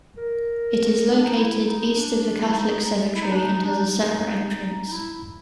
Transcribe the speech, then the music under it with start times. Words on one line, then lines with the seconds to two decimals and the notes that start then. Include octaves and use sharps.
It is located east of the Catholic cemetery and has a separate entrance.
0.17 A#4
1.09 D4
1.23 D#4
1.37 E4
1.66 D#4
1.96 D4
2.44 E4
2.55 D#4
3.15 E4
3.23 D#4
3.32 D4
3.40 D#4
3.64 D4
3.74 D#4
4.88 D#4
4.92 E4